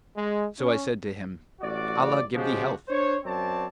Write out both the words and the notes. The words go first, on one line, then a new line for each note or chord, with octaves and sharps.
So I said to him, 'Allah give thee health!
G#3
C#4
A1 F#4 D5
C#3 F3 G#3 F#4 G4
D4 C5 C#5
F#2 C4 C#5 D5 A5